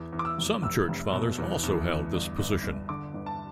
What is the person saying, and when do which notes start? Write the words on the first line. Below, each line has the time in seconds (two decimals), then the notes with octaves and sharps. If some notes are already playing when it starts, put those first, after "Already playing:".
Some Church Fathers also held this position.
Already playing: E2
0.13 E2
0.19 D6
0.25 E6
0.38 F1
0.62 F1 E6
0.88 F1
1.13 B2
1.38 E2
1.63 E2
1.89 E2
2.14 G1
2.38 G1
2.64 G1
2.89 D3 D6
3.14 G1
3.26 A5